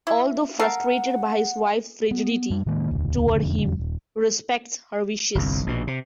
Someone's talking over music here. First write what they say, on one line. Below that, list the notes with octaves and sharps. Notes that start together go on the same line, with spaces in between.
Although frustrated by his wife's frigidity toward him, he respects her wishes.
E4
A4 A#4 F5 F#5
B3
F#2 G3
A2 D#3 G#3 A#3
E1 D2
E1 F2 D3
D#1
G1 C2
A#1 B2
C3